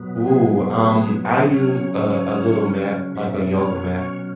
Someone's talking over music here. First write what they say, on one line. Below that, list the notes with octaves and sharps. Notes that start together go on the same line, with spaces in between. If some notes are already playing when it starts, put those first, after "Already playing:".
Ooh, um, I use a a little mat, like a yoga mat.
Already playing: B2 F#3 B3
G#4
C#3 F#3 C#4 C#5
B2 F#3 C#4 E5
C#5
C#5